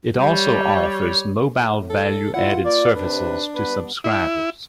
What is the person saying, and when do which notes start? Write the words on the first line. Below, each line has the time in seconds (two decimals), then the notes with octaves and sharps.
It also offers Mobile Value Added Services to subscribers.
0.18 G3 C#5
1.55 A2
1.90 A4
2.34 E4 F4 F#5
2.65 A#3 D5
2.96 D#2 C3 D4 B4
3.55 G2 B3 B4
4.04 E4